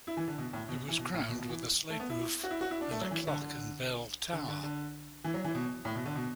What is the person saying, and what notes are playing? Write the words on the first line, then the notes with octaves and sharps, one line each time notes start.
It was crowned with a slate roof and a clock and bell tower.
E4
E3
D3
B2
A2
B2
E3
B2
A2
B2
B2
E3
A3
B3
E4
F#4
E4
F#4
E4
D4
A3
F#3
E3
D3
D3
D3
D3
D3
E3
F#3
E3
B2
A2
B2
D3
B2